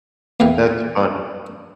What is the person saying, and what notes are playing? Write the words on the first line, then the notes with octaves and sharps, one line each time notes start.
That's fun,
E2 A#2 E3 G5